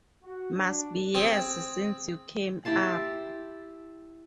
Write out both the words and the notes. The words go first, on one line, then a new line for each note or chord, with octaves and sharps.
Must be years since you came up.
F#4
D4
C4 G#4
E4 G4 A5 C6